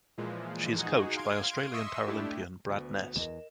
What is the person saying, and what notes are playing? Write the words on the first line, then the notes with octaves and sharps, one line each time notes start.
She is coached by Australian Paralympian Brad Ness.
A#2 E3 F3 G#3
D#4 F#4 G#4
F5 C6 G#6 D7
D#5 E5 C6 C#6 D#6 E6
A3 D4 E4 G4
D2 B3
E2 A#4 D#5 E7